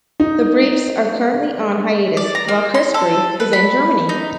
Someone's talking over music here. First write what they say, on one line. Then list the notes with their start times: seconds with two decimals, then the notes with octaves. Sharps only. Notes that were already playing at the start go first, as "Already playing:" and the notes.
The Briefs are currently on hiatus while Chris Brief is in Germany.
0.20 D#4
2.17 D5
2.35 A#5
2.48 A#3
2.74 C6
2.94 A4
3.40 B4
3.53 B5
4.09 D#4